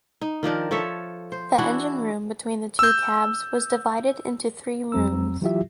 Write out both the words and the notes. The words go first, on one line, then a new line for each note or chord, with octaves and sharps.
The engine room between the two cabs was divided into three rooms.
D#4
D#3 F3 D4 A#4
F3 A4 C#5 E5
C5
E3 D4 E4 F#4
E6 G6
F2 F#3 C4 A#5 E6
E3 F#3 E4 F4 G4 E5